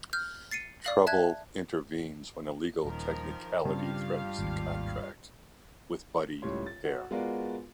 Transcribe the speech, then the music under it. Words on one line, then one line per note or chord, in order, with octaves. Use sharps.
Trouble intervenes when a legal technicality threatens the contract with Buddy Hare.
F6 G6
A6 C7 C#7 D#7
D5 F5 F#7
E5 A5 F#6 G#6
D#1 D#3 F3 A#4
G2 C#3 C4 F4 G4 F5
G#1 D#2
C#2 A2 G3 C#5 C6
A6
F#4
G#3 B3 F4 F#4 A#4 D5